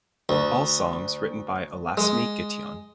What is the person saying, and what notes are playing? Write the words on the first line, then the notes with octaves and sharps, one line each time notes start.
All songs written by Alassmi Gittion.
D2
G#3